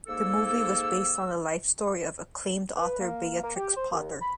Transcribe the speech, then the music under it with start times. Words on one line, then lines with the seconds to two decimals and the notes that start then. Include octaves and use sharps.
The movie was based on the life story of acclaimed author Beatrix Potter.
0.07 G#2 A#3 A4 E6
2.75 B4
2.99 A#3
3.43 A#3
3.55 G4
3.76 C5
3.92 D#2
4.21 B5